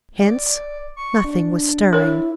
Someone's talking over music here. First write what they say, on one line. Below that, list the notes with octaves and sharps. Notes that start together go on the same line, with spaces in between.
Hence nothing was stirring.
D5
C#6
D4
E4 A#4 C#5